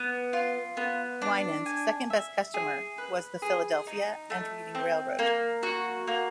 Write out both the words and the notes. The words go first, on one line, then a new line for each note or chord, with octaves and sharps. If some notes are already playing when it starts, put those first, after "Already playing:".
Winans' second best customer was the Philadelphia and Reading Railroad.
Already playing: B3
F4
B3
D4
G#5
E5
G#4
B4
G#4
D#4
A3
C4
A#3
F#4
A#3